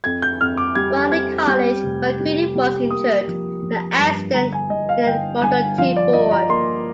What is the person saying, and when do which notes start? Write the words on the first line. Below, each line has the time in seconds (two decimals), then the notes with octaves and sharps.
While in college, Macready was injured in an accident in a Model T Ford.
0.04 F2 G#6
0.22 G6
0.41 F2 F6
0.57 D6
0.75 G3 G#6
1.11 C4 G#6
1.47 G3 G6
1.84 F1
2.20 G3
2.55 G3
2.91 A#3 D#6
3.28 F3
3.63 F3
3.98 G2
4.34 G1 A#5
4.53 G#5
4.70 G1 D#5
4.89 F5
5.06 G1 G5
5.42 G1 G#5
5.78 F3 F5
5.96 D5
6.13 F3 D#5
6.32 A#5
6.49 A#3 C6